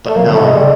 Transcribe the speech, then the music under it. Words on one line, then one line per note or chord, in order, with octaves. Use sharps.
but no, I
A3
F#3 A#3
D3
C#3 A3
C3 G#3
C#3 G3